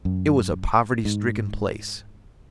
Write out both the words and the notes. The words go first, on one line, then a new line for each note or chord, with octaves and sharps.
It was a poverty stricken place.
F#2
G#2